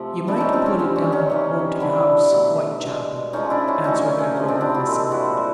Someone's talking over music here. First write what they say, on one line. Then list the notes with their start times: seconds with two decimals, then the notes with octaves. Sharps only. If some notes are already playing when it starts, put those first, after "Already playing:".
"You might put it down Rowton House, Whitechapel," answered Edward Mollison.
Already playing: C3 F3 A3 G4 A4
0.27 C3 F3 G#3 D4 E4
0.40 C#4 D#4
0.53 C4 D4
0.66 C#4
0.79 D3 G3 C4
0.96 C#4
1.12 C#4 D#4
1.30 C3 E3 G3
1.80 D3 G3 D4 E4
2.31 B2 F#3 A3
2.83 B2 G#3
3.33 C#3 F3 G#3 C#4 D#4
3.50 D4 E4
3.68 C#4 D#4
3.84 D3 F#3 A3 C#4 D#4
4.01 C#4
4.18 C#4
4.36 C3 F3 G#3
4.48 C4 D4
4.61 D4 E4
4.74 E4 F#4
4.86 A#2 F3 G#3
5.12 E4 F#4
5.37 G3